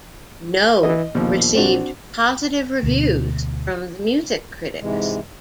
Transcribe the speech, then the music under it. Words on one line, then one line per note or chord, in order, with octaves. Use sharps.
"No" received positive reviews from music critics.
E3 D#5
A#1 D#2 B2 F3
A#1 C4 D4 F#4
D2 B2
G#2 C3 E3 G#3